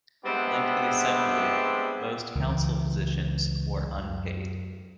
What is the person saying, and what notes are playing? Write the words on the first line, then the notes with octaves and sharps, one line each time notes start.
Like the assembly, most council positions were unpaid.
G3 G#3 B3 C4 D4 E4
C#2 E3
F#2